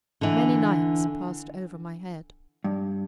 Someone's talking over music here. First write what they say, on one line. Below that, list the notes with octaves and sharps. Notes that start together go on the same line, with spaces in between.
Many nights passed over my head.
D3 E3
G2